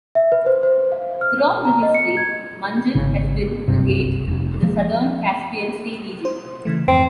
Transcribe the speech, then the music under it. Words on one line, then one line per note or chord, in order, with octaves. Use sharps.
Throughout the history Manjil has been a gate to the southern Caspian Sea region.
E5
B4
C5
C5
F5
F6
A#5
D#5
C#7
G#6
G#1 C#3
F#1 C2 G2 C3
F1
F3 G#3 A#3
C5
C#3 E3 A3
F2 G#2 C4